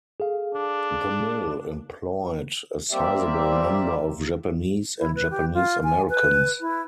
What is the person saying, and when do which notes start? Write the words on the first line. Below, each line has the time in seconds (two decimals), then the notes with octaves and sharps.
The mill employed a sizeable number of Japanese and Japanese Americans.
0.20 G#4 A4 F5
0.55 D4
2.91 G3 A#3 C4 G4 D5 E5
4.99 E4
5.15 B4
5.30 G4
5.54 F4
5.84 G#5
6.10 B4
6.60 E4